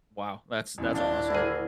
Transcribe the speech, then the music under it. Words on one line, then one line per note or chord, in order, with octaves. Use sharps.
Wow. That's that's awesome.
A1 B2 E4
D#1 D4 F5 G7
D2 A#3 G#4